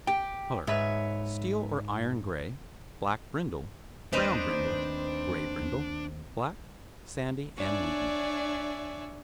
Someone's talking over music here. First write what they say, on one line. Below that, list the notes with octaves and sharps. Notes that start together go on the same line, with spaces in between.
COLOUR--Steel or iron grey, black brindle, brown brindle, grey brindle, black, sandy and wheaten.
G4 G5
G#2 B4 C#5 E5
D#2 D#3 A3 C4 D4 D#4 B4 C5
D4 C#5 D5 E5 G#5